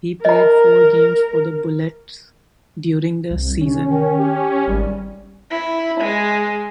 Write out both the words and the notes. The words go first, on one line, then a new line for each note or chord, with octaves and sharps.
He played four games for the Bullets during the season.
A#4 D#5 A#5
C2
C3 C#4
D#3
G4
G#1 G3
E4
G#3